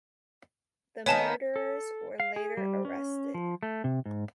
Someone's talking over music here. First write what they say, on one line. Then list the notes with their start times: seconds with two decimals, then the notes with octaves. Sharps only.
The murderers were later arrested.
1.06 D#3 A#3 B3 C#5 G#5 A5
1.56 A4
2.20 F5
2.36 G#4
2.57 G3
2.85 C#4
3.34 F3
3.63 A3
3.84 C3
4.06 G#2